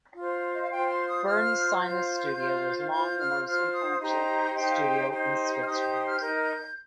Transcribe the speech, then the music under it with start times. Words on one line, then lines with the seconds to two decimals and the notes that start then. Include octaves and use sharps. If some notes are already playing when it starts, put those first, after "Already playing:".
Bern's Sinus Studio was long the most influential studio in Switzerland.
0.15 F4 C5
0.54 D#5
0.62 F5
0.70 F4 C5 G5
0.88 C6
1.07 D#6
1.25 F4 C5 F6
1.80 F4 C5 G6
2.35 F4 C5
2.90 F4 C5 G6
3.18 F6
3.45 F4 C5 F6
3.73 D#6
4.00 D#4 G4 C5 A#5
4.55 D#4 G4 C5 G5
4.68 F5
4.81 G5
5.10 D#4 G4 C5
5.61 F6
5.66 D#4 G4 C5 D#6
5.79 G6
5.93 D#6
6.07 F6
6.21 D#4 A#4 G6
6.41 G6